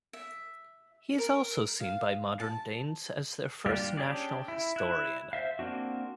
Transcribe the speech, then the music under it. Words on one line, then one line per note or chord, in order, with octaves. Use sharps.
He is also seen by modern Danes as their first national historian.
E5
A#4
F5
A5
G3 A#3 D4 F4 G4
C#4 D4 G4 G#4 D5
E4
E4 F#6
C5 E5 F5
A#3 C4 D4 F#4